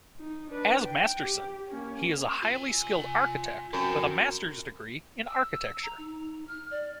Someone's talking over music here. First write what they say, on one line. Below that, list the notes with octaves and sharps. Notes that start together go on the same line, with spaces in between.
As Masterson, he is a highly skilled architect, with a master's degree in architecture.
D#4
D4 B4
G5
G4
A#3 C#4
F4 G#5
F#2 F3 C4
E6
A#5
D#4
F6
D5